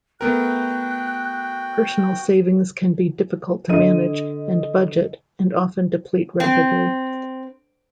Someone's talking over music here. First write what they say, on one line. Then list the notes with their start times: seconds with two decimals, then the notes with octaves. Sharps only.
Personal savings can be difficult to manage and budget and often deplete rapidly.
0.21 A3 B3 F#4 A#4 G5 F#6
3.69 D3 D#5 D#7
6.40 C4